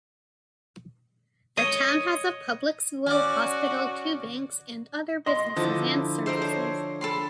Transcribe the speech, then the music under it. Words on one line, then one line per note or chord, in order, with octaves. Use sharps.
The town has a public school, hospital, two banks, and other businesses and services.
C#5 D#5
C#4 F#4 D5
D#5 C6
D3 F3 E4 D#5 A5 A#5
A4 A#4 C5 D#5 E5 C6
C5 C#5
A4 B5 C6